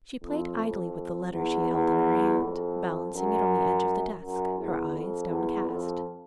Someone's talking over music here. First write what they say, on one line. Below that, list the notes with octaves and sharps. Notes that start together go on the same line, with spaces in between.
She played idly with the letter she held in her hand, balancing it on the edge of the desk, her eyes downcast.
F2
F2
E2
E2
F2
F#2
F#2
E2
F2
E2
F2